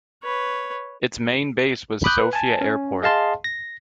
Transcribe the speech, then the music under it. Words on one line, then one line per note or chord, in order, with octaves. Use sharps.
Its main base was Sofia Airport.
B4 C#5
B5 D6 D#6 F#6 G6
B4
G#5 A5
C#4
G#4 D#5 F5 A5 C6
A#6